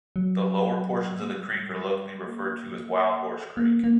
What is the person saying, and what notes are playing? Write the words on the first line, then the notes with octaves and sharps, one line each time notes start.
The lower portions of the creek are locally referred to as Wildhorse Creek.
F#3
A#3
G3
F#3
G3
A#3
A#3
A#3